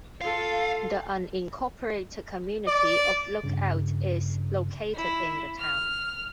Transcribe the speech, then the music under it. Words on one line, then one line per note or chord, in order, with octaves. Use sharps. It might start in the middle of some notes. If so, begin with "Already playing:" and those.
The unincorporated community of Lookout is located in the town.
F4 A4 F5
D5
G2 C#3
E4
F6